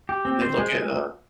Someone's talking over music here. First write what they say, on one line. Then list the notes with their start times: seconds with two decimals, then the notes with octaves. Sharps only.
when they look at, uh
0.09 G4
0.25 C4
0.42 C5
0.58 G#3